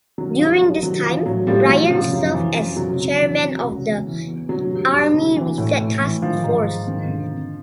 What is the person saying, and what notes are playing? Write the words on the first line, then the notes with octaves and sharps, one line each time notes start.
During this time, Bryant served as chairman of the Army Reset Task Force.
D#3 F#3
G2 F3
G2 F#3
D#3 F#3
E3 F3
A2 F#3
A2 F3 G3
E3 F#3
C#3 F3
F#2
E3
F#2
C#3 F#3
F2
E3
F2
C#3
E2
E3
E2
D3 F#3
G2
G2
D3
E3
A2
A2
E3
D#3 F3
G#2
G#2
D#3
D3
F2